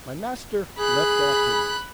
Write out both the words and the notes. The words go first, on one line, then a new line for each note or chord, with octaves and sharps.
My master left off hitting me.
G#4 B5 F#6